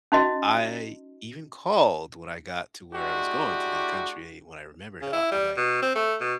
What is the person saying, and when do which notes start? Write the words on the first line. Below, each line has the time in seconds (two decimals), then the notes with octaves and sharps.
I even called when I got to where I was going to the country. When I remembered, uh, I'm, like,
0.12 C#4 D#4 F#4 D#5
2.94 G#3 D4 E4 F#4 G4
5.01 C#3
5.13 E4
5.32 G3
5.57 B2
5.82 C4
5.95 A3
6.20 B2